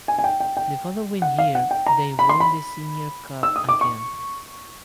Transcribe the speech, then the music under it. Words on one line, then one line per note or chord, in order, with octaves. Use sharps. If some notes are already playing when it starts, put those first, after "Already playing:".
The following year they won the Senior Cup again.
G#5
G#5
G5
G5
G5
F#5
F5
F#5
G5
A#5
B5
C6
B5
E6
D#6
D6
C#6